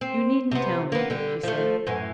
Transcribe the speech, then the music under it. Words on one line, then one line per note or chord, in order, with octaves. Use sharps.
"You needn't tell me," she said.
C4
C3 B3
A#3 B3
D3 G3
F3 A3
F#2 A2 E3